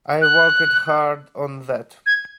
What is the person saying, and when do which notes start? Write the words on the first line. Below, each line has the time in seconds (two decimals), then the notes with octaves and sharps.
I worked hard on that!
0.22 F#6
2.06 G#6